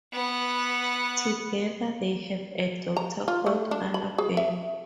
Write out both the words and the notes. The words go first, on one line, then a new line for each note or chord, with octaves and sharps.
Together they have a daughter called Annabelle.
B3 F#5
A#5
F4
A3
D4
B5
G#4
E5